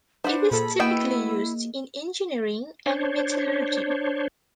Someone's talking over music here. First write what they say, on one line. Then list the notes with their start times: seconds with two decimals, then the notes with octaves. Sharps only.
It is typically used in engineering and metallurgy.
0.24 D4 B4 C5 F#5
0.51 A#2 G#4 A4 B5
0.80 A#3 B3 E4 F#4 D#5 G5 E6
2.86 D4 C5 C#5